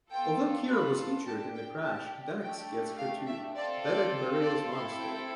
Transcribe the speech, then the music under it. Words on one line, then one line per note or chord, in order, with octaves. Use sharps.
Although Kira was injured in the crash, Dax gets her to Vedek Bareil's monastery.
B3 F4 A4 G5
B5
D4 G4 A5
G5
A5
A3 D4 G4 G5
F5
E5
C4 F4 A4 D5
D5
D5
C4 E4 A4 F5
G5